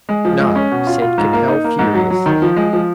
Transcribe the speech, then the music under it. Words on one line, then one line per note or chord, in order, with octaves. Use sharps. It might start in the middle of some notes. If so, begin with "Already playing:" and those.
"No," said Capel, furiously.
G#3
F3
G#3
C#4
B2
F4
F4
G#2
A#3
D#4
A#3
G#2
F#3
F#3
D#3
F3
G#3
F3